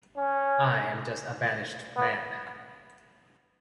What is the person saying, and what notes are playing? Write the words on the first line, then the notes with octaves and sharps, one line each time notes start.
I am just a banished man.
C#4
B3